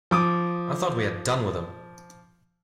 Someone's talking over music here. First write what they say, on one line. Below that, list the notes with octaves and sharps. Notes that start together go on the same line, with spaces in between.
I thought we had done with him.
F3 D6 D#6